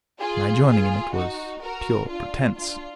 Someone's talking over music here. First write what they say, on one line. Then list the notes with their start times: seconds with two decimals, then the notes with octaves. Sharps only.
My joining in it was pure pretence.
0.20 F4 G#4
0.67 F4 G#4
1.14 D#4 F#4
1.62 F#4 A#4
2.09 D4 F4
2.56 D4 F4